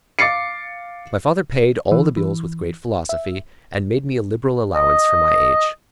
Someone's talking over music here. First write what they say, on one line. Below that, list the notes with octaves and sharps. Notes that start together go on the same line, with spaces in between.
My father paid all the bills with great philosophy, and made me a liberal allowance for my age.
F5 D6 A6 C7 C#7
E3
E3
E5
D#5